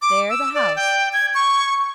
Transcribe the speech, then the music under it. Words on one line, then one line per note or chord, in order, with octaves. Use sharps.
There the house.
D6
E6
D5
G5
G#6
C#6